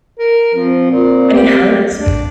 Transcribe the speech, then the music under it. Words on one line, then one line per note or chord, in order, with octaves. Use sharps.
and it hurts.
A#4
F3 C4
A#2
G4
D4